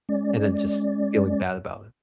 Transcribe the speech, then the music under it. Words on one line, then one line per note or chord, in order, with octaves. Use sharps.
and then just feeling bad about it.
G#3 C#4 D5